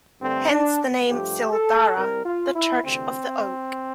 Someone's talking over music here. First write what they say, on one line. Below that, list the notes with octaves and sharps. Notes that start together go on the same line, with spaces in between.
Hence the name Cill Dara, the church of the oak.
G2 D3 A3 C4
D4
G2 F3 A3 G4
A4
C2 C3 G3 A#4
F4
E4
D2 C3 E3 C4